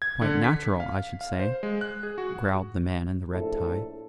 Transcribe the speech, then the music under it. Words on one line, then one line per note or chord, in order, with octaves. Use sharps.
"Quite natural, I should say," growled the man in the red tie.
G#6
D3
B6
F5
F5
C5
G#3
F#6
G#4
F#4
A#1 A2 E4 A4